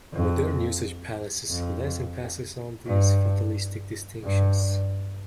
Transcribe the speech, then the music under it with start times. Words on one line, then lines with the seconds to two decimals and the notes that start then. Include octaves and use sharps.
Modern usage places less emphasis on these fatalistic distinctions.
0.14 F2
1.50 F2
2.87 G2
4.24 G2